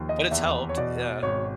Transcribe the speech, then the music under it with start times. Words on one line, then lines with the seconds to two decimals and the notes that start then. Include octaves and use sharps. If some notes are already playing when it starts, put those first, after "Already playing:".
But it's helped, yeah.
Already playing: D#2 F3
0.09 D#5
0.31 E2 E5
0.69 C#5
0.77 B2 D5
1.22 G#1 C#5